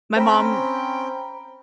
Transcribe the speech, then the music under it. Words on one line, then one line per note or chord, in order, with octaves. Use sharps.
my mom
C4 C#4 C5 G5 A#5 B5